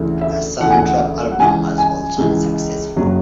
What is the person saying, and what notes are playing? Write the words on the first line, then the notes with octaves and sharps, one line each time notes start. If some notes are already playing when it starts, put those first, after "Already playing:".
A soundtrack album was also unsuccessful.
Already playing: D2 C#3 E3
E5
D2 C#3 E3 F#5
G#5
F#5
F#5
C#2 C#3 E3 G#5
G#5
C#2 C#3 E3
F#1 C#3 F#3